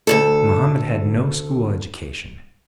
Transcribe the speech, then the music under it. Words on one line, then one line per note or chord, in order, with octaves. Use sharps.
Mohammed had no school education.
D2 G2 A4